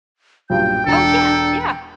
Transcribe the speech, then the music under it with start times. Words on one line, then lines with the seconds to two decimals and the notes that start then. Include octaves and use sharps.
Oh, yeah, yeah.
0.50 B1 G2 A#2 G5 G6
0.87 E1 D4 A4 A#5